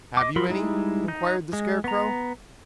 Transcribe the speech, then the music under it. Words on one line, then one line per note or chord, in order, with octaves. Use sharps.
"Have you any?" inquired the Scarecrow.
D#5 D6
F#3 F#4 A#4 B5 C6
G3 G#3 D#4 E4
D#4 G6
G#3
B3 A#5